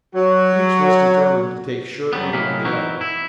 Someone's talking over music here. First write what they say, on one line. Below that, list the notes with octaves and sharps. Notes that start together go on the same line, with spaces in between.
Each was determined to take sure aim on the other.
F#3 F#4
F#2 F#3 G3 B3
C3 F#3 G#3 A#3 B5
E3 C4 D#4 E4 F#4
E4